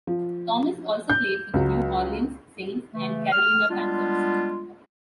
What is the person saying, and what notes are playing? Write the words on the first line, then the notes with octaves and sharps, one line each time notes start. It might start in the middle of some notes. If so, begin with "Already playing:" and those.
Thomas also played for the New Orleans Saints and Carolina Panthers.
F3
G6
C#2 F#3
C#3 E3 A3
F6
G3 G#3 B3 D4 F4